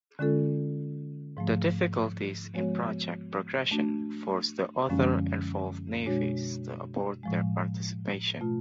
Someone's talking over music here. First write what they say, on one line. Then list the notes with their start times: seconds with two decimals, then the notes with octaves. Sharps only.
The difficulties in project progression forced the other involved navies to abort their participation.
0.19 D3 G#3 C#4 F4 A4
1.37 G#2 F3 A3
2.54 F3 G#3 B3 F#4 C#5
3.71 A3 D4 F#4
4.89 F#2 D3 F3 G#3 C#4
6.06 B2 G#3 D4 F#4 C#5
7.23 A2 F3 G#3
8.41 B2 A3 F4